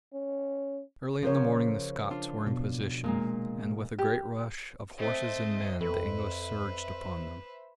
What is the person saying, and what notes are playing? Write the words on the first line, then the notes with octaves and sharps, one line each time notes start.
Early in the morning the Scots were in position, and with a great rush of horses and men the English surged upon them.
C#4
C#3 F3 A#4 C5 C#5
D4 F4
B2
A#2 G#3 A#3
G4
A3 C4 C5 D#5
F2 A4 B4 C5 E5